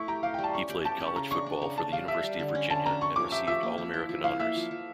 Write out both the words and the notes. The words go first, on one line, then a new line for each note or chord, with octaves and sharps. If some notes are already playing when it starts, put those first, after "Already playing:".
He played college football for the University of Virginia and received All-American honors.
Already playing: A3 E4 C#6
G4 A#5
G4 F5
G5
G3
A5
C#4 C#6
G4
G4 A5
C#4
C#6
C#3 A#5
D4 C#6
D4
C#3
C#3 A5
G3 F5
G3 E5
G3
D3
C#4
D3 A5
C#4 A#5
C#4 C#6
F3 D6
G4 E5
F3 E5
A#3
F3
E4
F3
E4 F5
A#3 E5
F3
F3